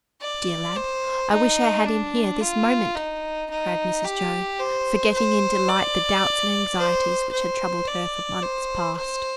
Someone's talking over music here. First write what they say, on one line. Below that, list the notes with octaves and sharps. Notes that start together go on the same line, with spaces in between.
Dear lad, I wish I had him here this moment!' cried Mrs Jo, forgetting in delight the doubts and anxieties which had troubled her for months past.
D5
C5
D#4
D4
F4
D#4
D#4
G4
C5
C5
D5
C5
C5
D5
C5
C5